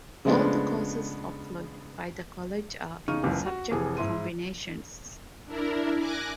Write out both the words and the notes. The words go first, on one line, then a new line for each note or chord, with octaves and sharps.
All the courses offered by the College are in subject combinations.
C#3 F3 G#3 A3 B3 D4
C#3 D#4 C#6 F6 D#7
F#1 C#2 E3
F#4
F1 E3 G#4
G#2 E4 C6 D#7
D4 E4 A#4
G#5 D6 F#6 A#6